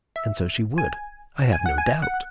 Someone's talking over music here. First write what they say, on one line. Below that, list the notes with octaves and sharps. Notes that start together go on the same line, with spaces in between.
And so she would, I have no doubt.
E5
G#5
G#5
F#5
G#5
F#5